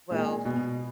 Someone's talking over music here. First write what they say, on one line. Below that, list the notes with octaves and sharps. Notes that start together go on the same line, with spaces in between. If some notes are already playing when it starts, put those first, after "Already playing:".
Well, y
A#2 G#3
B2